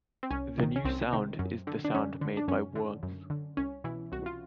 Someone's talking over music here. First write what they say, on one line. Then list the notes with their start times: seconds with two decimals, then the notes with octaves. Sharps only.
'The new sound is the sound made by worms.
0.23 C4
0.31 C2 C#4
0.58 C3 D#3
0.76 C#4
0.85 C2 C4
1.13 C3 D#3
1.39 F#2
1.67 D3
1.85 D4
1.95 F#2 C#4
2.21 D3
2.37 D4
2.48 F#2 C#4
2.76 D3
3.03 F#2
3.30 D3
3.57 C2 C#4
3.84 B2 E3 E4
4.12 C2 F#4
4.26 F4